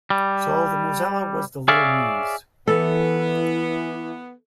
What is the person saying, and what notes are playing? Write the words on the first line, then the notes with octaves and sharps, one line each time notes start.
So the "Mosella" was the "Little Meuse".
G3
G#4 C#5 D5 E5 F5
E3 B3 E4 A4